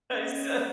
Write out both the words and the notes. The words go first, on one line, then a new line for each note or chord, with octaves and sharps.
I said,
C#4 D#5
D#5
C#5